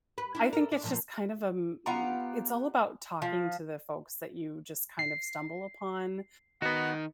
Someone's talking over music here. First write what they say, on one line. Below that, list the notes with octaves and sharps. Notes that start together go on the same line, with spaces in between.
I think it's just kind of a m m It's all about talking to the folks that you just kind of stumble upon
B4
D4 E4
A4 A#4
D4
A#2 F3 A#3
B3 F4 G4 A#5
F3
C7
D#3 B3 D#4 F#4 F#5